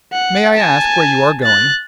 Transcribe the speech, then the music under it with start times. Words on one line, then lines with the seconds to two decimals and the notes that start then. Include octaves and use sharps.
May I ask where you are going?'
0.12 F#5
0.56 G#5 A5
1.43 F#6 A6